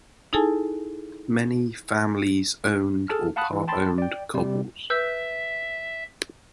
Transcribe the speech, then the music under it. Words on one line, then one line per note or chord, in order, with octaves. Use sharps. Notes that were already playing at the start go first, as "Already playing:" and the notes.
Many families owned or part owned cobles.
D#4 E4 G#4 A4 G#5 A5
G#4 A4 A5 F6
F5 F#5 A5 B5 D#6 F#6
E3
G5 A5 B5 C6 A6
D5 G5
C3 G3
B4 E5 E6 G6